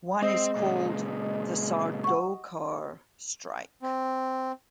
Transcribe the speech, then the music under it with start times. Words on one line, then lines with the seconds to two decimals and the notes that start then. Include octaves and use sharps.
One is called The Sardaukar Strike!
0.22 G#3 C4 D#5
0.56 A#2 C#3
2.04 F#5 C#6
3.82 C4